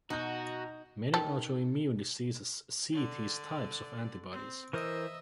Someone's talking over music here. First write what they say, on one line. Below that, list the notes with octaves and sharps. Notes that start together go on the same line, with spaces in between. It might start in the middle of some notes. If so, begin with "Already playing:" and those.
Many autoimmune diseases see these types of antibodies.
B2 D#4 F#4 D#5 A#5 G6
D#3 A4
D3 D5
C4
E3 A#4 C5 D#5 E5